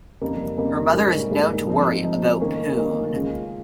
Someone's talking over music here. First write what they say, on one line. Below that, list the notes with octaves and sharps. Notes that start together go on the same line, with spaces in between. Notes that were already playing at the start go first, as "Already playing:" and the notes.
Her mother is known to worry about Poon.
F2 C#3 G3 A#3 D#4
F2 C#3 G3 A#3 D#4
G#2 G3 A#3 C#4 G#4
G#2 G3 A#3 C#4 G#4
F3 G#3 C4 D#4
F3 G#3 C4 D#4
D#3 A#3 C#4
D#3 A#3 C#4
C#3 G#3 C#4 F4 G#4